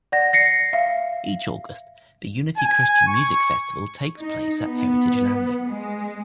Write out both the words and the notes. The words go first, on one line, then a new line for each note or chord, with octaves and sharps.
Each August, the Unity Christian Music Festival takes place at Heritage Landing.
D5 F#5 A#6
A#6 C7 C#7
E5 F5
G#5
C#6
D#4
B3
G#3